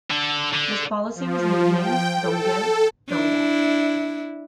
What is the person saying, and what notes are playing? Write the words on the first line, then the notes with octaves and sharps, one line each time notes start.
This policy was nicknamed "dont give, don't get".
D3 A4
D3
F3
G5
A4
D4 E4